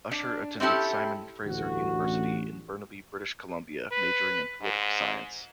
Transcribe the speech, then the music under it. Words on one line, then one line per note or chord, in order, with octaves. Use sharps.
Usher attended Simon Fraser University in Burnaby, British Columbia, majoring in political science.
D4
C4 C#4 E4 G4 A4
A1 D2 F#4
B4
G#2